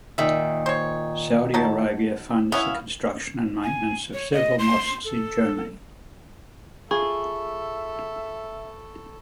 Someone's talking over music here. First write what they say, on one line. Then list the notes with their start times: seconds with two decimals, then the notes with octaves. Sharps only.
Saudi Arabia funds the construction and maintenance of several mosques in Germany.
0.18 A#2 D#3 E5
0.66 C5 C#5
1.54 F#3 D#4 A5
2.52 B3 C#4 E4 F5
3.64 G#5
4.14 C#5
4.33 D#5
4.59 C6
5.05 A4
6.91 F4 G#4 A4 E5 B5 C#6